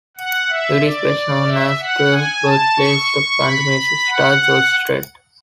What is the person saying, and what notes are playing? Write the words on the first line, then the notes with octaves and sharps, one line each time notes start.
It is best known as the birthplace of country music star, George Strait.
F#5
E5
D5
E5
F#5
G#5
A5
C#6
B5
F#5